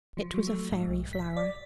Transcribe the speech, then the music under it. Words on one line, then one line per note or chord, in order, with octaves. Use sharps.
It was a faery flower.
F3
F#3
A3
G#2
B1
B6
D5